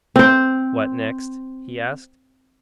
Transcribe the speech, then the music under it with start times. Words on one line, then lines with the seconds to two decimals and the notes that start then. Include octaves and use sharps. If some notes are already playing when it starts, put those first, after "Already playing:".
"What next?" he asked.
0.16 C4 C5